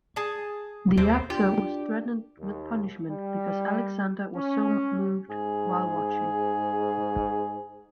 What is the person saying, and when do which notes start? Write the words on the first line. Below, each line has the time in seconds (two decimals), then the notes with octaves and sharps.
The actor was threatened with punishment because Alexander was so moved while watching.
0.16 G#4 A5
0.97 D#2 C3 C4 C5
1.30 D4 F4 G4
2.39 D#2
3.09 G3
4.35 C#4
5.30 G#2 G#4